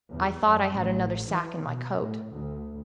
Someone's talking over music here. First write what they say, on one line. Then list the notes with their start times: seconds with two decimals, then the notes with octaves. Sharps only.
I thought I had another sack in my coat.
0.12 E2
0.44 F#2
0.75 A1
1.30 E3
1.65 B2
2.02 A2
2.34 D2